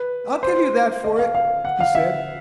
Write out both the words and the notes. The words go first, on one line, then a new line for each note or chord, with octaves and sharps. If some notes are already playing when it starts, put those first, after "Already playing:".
"I'll give you that for it," he said.
Already playing: B4
C5
D#5
F5
F5
F#5
F5
E5